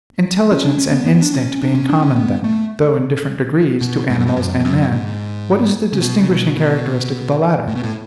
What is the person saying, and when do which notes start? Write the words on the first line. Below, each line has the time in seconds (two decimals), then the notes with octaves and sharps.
Intelligence and instinct being common, then, though in different degrees, to animals and man, what is the distinguishing characteristic of the latter?
0.51 C#4
0.65 D4
0.78 C#4
0.92 B3
1.06 B3
1.22 D4
1.34 C#4
1.62 D4
1.75 C#4
1.89 D4
2.02 C#4
2.16 B3
2.44 A3
3.81 B2
4.10 G#2
4.18 F#2
4.27 G#2
4.36 F#2
4.60 F2
4.65 F#2
4.92 G#2
5.92 C#3
6.01 B2
6.21 C#3
6.30 B2
6.57 B2
7.68 A2
7.75 B2
7.83 A2